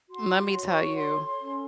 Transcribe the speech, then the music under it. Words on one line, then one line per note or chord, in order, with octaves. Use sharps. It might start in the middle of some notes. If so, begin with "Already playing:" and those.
Let me tell you,
F#4 C6
C6
C#5
C6
C#6
A4 C6
C6
C#4